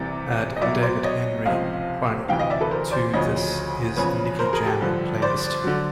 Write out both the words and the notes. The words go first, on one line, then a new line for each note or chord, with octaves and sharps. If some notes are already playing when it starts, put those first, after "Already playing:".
Add david henry hwang to the This Is Nicky Jam playlist.
Already playing: C2 C3 E3 D5
D#5
C2 B2 F#3 D5 E5
C5 D5
C#5 D#5
C#2 C3 F3 D#5 F5
D2 C3 E3 F5 G5
D#5 F5
D5 E5
A4 B4
A#4 C5
C5 D5
D2 C#3 F3 C#5 D#5
E2 C#3 F3 B4 C#5
A#4 C5
G#4 A#4
G4 A4
G2 D3 F3
C5 D5
D3 F#3